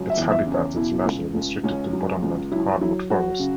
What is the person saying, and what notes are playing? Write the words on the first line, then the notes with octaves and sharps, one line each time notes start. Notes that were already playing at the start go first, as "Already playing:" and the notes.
Its habitat is largely restricted to bottomland hardwood forest.
Already playing: C#2 F#3
E5
E2
E5
C#3
C#5
B2 E4
C#2
C#2
C#2 C#4
F#3
C#2
F#3 E4
F#3 E4
F#3 F#4
C#3